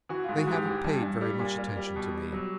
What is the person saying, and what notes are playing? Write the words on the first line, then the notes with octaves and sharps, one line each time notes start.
They haven't paid very much attention to me.
E3 F#4
F4
G#2
F#4
G#2 G4
E3
G2
G2
G3
A#2
G3
G3
B2
G3
F#3